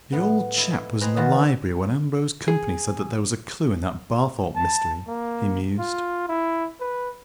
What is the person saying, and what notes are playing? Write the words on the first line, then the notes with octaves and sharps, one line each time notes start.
"The old chap was in the Library when Ambrose Campany said that there was a clue in that Barthorpe history," he mused.
A2 B3
E4 D#5 F5
B4 C5 D#5 G5 G#5 A#5
D#3 E3 B3 F4 F#4
G#4
A5
A#3
F4
E4
B4